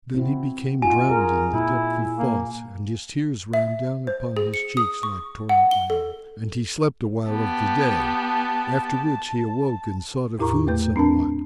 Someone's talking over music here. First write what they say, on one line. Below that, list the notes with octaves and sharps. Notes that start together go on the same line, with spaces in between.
Then he became drowned in the depth of thoughts and his tears ran down upon his cheeks like torrent-rain; and he slept a while of the day, after which he awoke and sought of food somewhat.
C4 E4 F#4
D#4 F4 F#4 G#5
F4 G#4 A#4
A#2 E4
A#3
E5
C5
G#4
C#7
D#6
C#6
F#5
G7
A4
B3 G4 A5
E2 A2 E4 A#4 A#5 C#6
E2 A#2 A3 B4 G6
C4 D4 A#4 A5